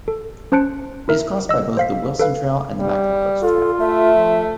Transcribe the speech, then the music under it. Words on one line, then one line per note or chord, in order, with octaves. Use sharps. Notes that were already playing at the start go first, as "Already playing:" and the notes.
It is crossed by both the Wilson Trail and the MacLehose Trail.
A4
C#4 C5 A5 F#6 C#7 D7
E4 A#4 E5
D#5 E6
C5 F5 B6
A4 B4 F5
G3
F4 A4
A3 E5
F3